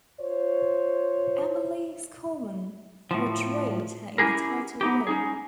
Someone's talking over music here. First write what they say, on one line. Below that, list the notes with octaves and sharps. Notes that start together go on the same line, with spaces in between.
Emily Schulman portrayed her in the title role.
F4 C5 C#5
A2 F3
C#4 E4 F4 G4 G#4 A#4
B3 D#4 G4
C#4 D#4 G#4